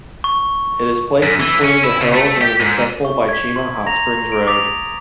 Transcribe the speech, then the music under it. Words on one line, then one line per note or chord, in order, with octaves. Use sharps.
It is placed between the hills and is accessible by Chena Hot Springs Road.
C#6
F#2
E3
C#4
E4
C#3
A3
G4
G#2
C#6
G#6 B6
C6
A#5 A#6 F7
D7
D6 D#6 A6 B6 F7